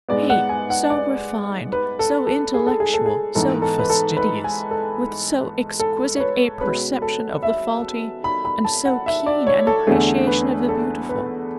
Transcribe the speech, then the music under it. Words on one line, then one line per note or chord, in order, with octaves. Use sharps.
He, so refined, so intellectual, so fastidious, with so exquisite a perception of the faulty, and so keen an appreciation of the beautiful!
G#2 G#3 B3 D5
F#5
G#5
F#5
D5
B4
A4
A4
G#4
A4
G#4
A4
G#4
G#2 E3 B3 A4
A4
B4
A4
B4
G#5
A4
A4
C#5
B4
B2 G#3 C#4 B4
A4
E5
B5
B5
A5
F#5
E5
D5
C#5
A4
E2 D3 A3 G#4
B4
A4
B4